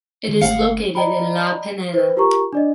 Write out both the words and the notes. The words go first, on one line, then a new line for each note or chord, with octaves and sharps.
It is located in La Pineda.
D#3 G#3
G1 A3 F5 F#5 C#7
D5 D#5 G5 A#5 B5
B4 C5
F4 G4 A#4 A#5 C#6
D4 D5 D#5